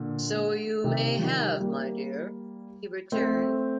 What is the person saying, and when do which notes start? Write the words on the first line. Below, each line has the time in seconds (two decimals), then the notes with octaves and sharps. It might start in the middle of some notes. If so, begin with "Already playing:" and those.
"So you may have, my dear," he returned.
Already playing: A#2 D3
0.84 C3 D#3
1.19 F3
1.22 D#3 G3
1.60 G3 A#3
3.12 A3 C4